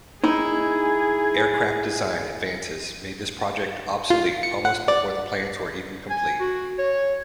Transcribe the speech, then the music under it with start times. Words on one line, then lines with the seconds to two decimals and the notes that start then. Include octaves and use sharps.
Aircraft design advances made this project obsolete almost before the plans were even complete.
0.24 D#4 E4 G#4
4.10 F4
4.43 C#7
4.65 F#5
4.88 D5
6.10 G#5
6.40 F#4
6.79 C#5